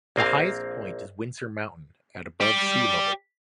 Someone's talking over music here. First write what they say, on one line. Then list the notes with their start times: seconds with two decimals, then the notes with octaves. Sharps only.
The highest point is Windsor Mountain, at above sea level.
0.16 A#1 A#3 C4 F5
2.40 G4 D5